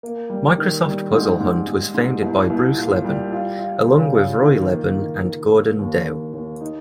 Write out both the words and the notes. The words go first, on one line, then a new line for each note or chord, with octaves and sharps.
Microsoft Puzzlehunt was founded by Bruce Leban, along with Roy Leban and Gordon Dow.
A#3
G3
D#3
G3
G#2
G#2
G#2
G#2
C2
C2
A#2
G3
F4
F4
C#3
F4
D#3
A#3
D#3
D#3
A#3
D#2
D#2
D#2
D#4